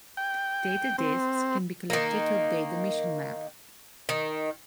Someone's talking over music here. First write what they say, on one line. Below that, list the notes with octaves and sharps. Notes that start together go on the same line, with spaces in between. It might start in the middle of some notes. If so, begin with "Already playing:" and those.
Data Discs can be collected to update the mission map.
G5
C4
D#3 A#3
D#3